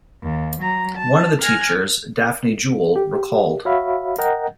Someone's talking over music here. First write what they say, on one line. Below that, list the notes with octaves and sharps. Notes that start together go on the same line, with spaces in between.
One of the teachers, Daphne Jewell, recalled.
D#2
F#3 A#5
A5
G#5 F6 F#6 G#6 A#6
G4
F#4 C#5 E5 F5 B5
A#4 D#5 F#5 G5 A#5